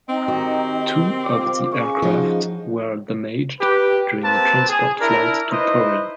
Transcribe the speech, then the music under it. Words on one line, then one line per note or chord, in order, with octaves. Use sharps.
Two of the aircraft were damaged during a transport flight to Pori.
C4 D#4 D#5 G5
D#3 F#4 G4
F4 C5 D6
C#3 C#6
F3 D#4 F#4
G4 B4
A#3 C4 G4 B4 A5
G#4
D4 E4 A#4
D#4 E4 B4 C5 D#5